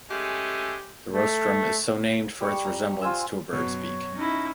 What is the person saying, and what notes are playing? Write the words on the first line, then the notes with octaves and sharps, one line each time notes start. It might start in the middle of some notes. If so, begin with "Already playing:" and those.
The rostrum is so named for its resemblance to a bird's beak.
G#3 A3 C#4 G4
A3
G3 C#6
A#5
F4 C5 G#5 E6
F#2 B2 F#3 C#5
C#4 D#4 E4